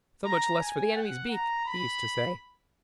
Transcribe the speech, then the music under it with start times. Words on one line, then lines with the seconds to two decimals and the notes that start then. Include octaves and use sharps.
So much less for the enemy's beak, he used to say.
0.25 A#5
0.60 G#5
0.95 F#5
1.31 A#5
1.66 B5